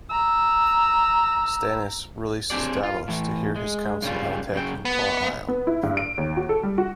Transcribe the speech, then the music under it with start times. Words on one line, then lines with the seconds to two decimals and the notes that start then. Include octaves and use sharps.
Stannis releases Davos to hear his counsel on attacking Claw Isle.
0.10 A#5 E6
2.50 C4 D4 D#4 G4 G#4 D5
2.83 F4
3.08 A2 E3
3.56 G#3
4.02 G2 C#3 G3 F4
4.53 F#2 C#3 G5
4.85 B3
5.48 B3
5.67 E4
5.83 G2
5.97 D7
6.18 D#2
6.37 F#4
6.49 A4
6.63 G3
6.78 F#4